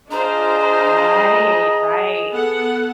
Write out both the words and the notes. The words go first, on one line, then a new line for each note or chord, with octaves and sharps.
Right. Right.
D4 F4 G#4 C5 D#5 A#5
B3 A4 F#5